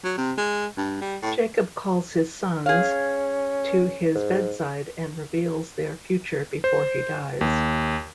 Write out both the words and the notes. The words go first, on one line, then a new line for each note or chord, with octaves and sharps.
Jacob calls his sons to his bedside and reveals their future before he dies.
F#3
C3
G#3
G2
G3
A2
C#4 G#4 F5
G#2
C5
D#2